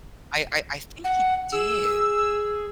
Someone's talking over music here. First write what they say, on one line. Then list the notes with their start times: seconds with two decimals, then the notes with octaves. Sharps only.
I I I think he did.
1.04 F#5
1.52 G#4 E6